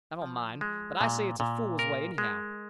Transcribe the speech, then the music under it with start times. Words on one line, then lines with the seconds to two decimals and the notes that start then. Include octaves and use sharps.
I don't mind; but I say it's a fool way, anyhow.
0.22 F3
0.61 G#3
1.01 A#2
1.40 A#2
1.79 A#4
2.18 G#3